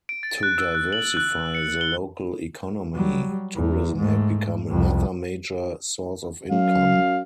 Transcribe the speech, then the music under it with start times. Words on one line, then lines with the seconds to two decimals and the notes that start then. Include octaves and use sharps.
To diversify the local economy, tourism had become another major source of income.
0.09 D7
0.23 A6
0.43 F#6
0.58 E6
0.75 F#6
0.93 F#7
1.17 F#6
1.55 C#7
1.81 G7
2.94 F#3 G3
3.56 E2
3.97 G#2 A3
4.70 C2 F2
6.51 F#2 F#3 F5